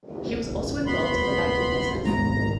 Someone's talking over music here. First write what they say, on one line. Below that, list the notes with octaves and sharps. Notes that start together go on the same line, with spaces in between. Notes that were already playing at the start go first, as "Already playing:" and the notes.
He was also involved in the banking business.
B3 B5 C6
G#1 G#3 B3 A#5